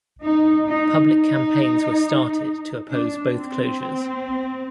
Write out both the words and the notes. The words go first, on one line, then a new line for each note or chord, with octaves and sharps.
Public campaigns were started to oppose both closures.
D#4
D#4
D#4
D4
C4